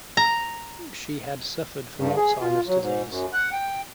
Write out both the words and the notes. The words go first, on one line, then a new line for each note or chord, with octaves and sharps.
She had suffered from Alzheimer's disease.
A#5
G2
G#4
F4
F#3
G#2
F#2
F#5
G5